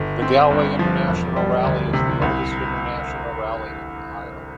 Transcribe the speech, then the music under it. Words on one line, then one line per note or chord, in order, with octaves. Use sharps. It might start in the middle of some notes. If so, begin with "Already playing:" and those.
The Galway International Rally is the oldest International rally in Ireland.
Already playing: G1
C4
G2
F3
E1
G3
D2
C3
C2